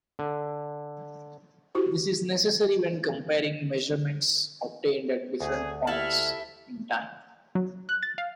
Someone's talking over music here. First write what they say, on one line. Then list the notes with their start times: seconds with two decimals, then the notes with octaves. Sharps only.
This is necessary when comparing measurements obtained at different points in time.
0.19 D3
1.75 E4 F#4 G4 C5
5.41 D2 G#4
5.87 E4 G4 A4 E5 A5 F6
7.55 F#3
7.89 F#6
8.03 A6
8.18 F5